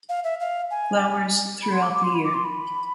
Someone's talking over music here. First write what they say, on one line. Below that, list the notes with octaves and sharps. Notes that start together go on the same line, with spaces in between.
Flowers throughout the year.
F5
E5
F5
G#5
B5
C6
D6
D6
C6
B5
D6
C6
B5